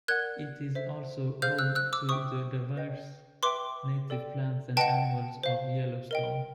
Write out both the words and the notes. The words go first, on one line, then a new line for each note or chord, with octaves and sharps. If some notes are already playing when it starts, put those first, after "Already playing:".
It is also home to the diverse native plants and animals of Yellowstone.
A#4 D5 F#5 F#6 G#6
A4 C5 E5
G#4 C5 F5 F6 G6
E6 F#6
E6 F#6
D6 E6
C5 E5 G5 C#6 D#6
B4 D#5 G5
B4 E5 G5 C6 D6
A4 D5 G5
B4 D#5 F#5 G5 A5
C5 F5
A#4 D#5 G5